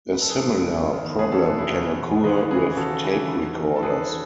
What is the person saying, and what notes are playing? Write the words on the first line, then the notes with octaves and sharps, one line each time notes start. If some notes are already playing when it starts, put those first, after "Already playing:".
A similar problem can occur with tape recorders.
G#2 B4
A4
G#4 B4
D#3
G#2
D#3
E2 G#4 B4
A4 C#5
B2 G#4 B4
E4 G#4
E2
B2
D#2 G#4 B4
C#3 E3 G#4 B4
D#2 F#4 A4
C#3 E3
E2
D#3
A4
E2 G#4 B4
D#3